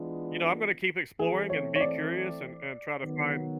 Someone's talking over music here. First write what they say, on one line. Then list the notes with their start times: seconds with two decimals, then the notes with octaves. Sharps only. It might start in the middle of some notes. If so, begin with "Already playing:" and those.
you know, I'm gonna keep exploring and be curious and and try to find
Already playing: E3 G#3 B3 D4 F4
1.19 E3 A3 C4 G#4
1.50 C#5
1.76 C#5
1.81 D5
3.04 D#3 F#3 B3